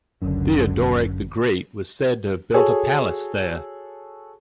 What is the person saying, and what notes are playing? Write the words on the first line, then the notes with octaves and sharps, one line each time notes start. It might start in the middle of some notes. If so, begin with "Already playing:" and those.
Theoderic the Great was said to have built a palace there.
G1 C#2 F#2 D3
F#4 G#4 A4 C#5